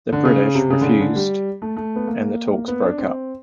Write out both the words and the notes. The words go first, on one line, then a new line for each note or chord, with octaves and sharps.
The British refused and the talks broke up.
D3
C#3
C3
C#3
D3
C#3
D3
G3
A3
A3
B3
A#3
B3
D4
C4